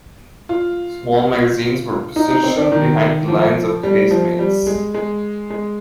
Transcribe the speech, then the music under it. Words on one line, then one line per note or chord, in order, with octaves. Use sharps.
Small magazines were positioned behind the lines of casemates.
F4
D#4
D#4
C4
D4
D#3
F3
G3
F3
G3
G#3
G#3
G#3